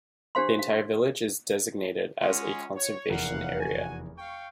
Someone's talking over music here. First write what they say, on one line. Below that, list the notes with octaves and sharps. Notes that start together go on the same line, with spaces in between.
The entire village is designated as a conservation area.
D4 G4 C5 F5 C6
F5
G#3 C#4 F4 F#5 C6
C#5
F1 E2 A#4 F5 F#5
F#4 G#5
F5 G5 C#6